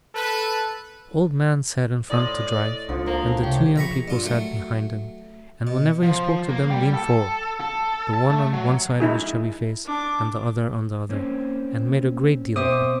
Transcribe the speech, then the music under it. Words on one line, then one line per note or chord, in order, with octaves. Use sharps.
The old man sat in front to drive, and the two young people sat behind him, and whenever he spoke to them leaned forward, the one on one side of his chubby face and the other on the other, and made a great deal of him.
A4 B4
A2 D5 D#5 C6
C#2 D3 F3
A#3
C3 G4 C#5
A#1 A#5 B5 C#6
G2 F4
F#3 A3
B2
F3
A#3
G3
A4
A4
A5
A3
F#3
D#4 E4 G#4
D4 D6
A#3 C4 C#4
B2 C4 E5 D6 D#6